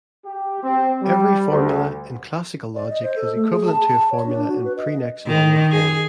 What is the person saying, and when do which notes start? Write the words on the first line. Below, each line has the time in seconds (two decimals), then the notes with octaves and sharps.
Every formula in classical logic is equivalent to a formula in prenex normal form.
0.25 G4
0.63 C4
1.03 G3
1.49 D2
2.75 D5
2.90 D#5
3.03 C5
3.16 A4
3.35 A3
3.50 G#4
3.67 A5
4.11 C#5
4.27 D4
4.48 F#4
4.65 B4
4.77 D#5
5.27 D#3
5.72 G#4